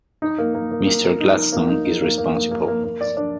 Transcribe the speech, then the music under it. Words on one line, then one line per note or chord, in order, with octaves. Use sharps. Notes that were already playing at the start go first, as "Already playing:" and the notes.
Mr Gladstone is responsible.
D#4
A#3
A#3
A#3
A#3
A#4
D#4
A#4
A#3
D#4
D#4
A#3
A#3
A#3
A#3
A#3
A#3
D5
D4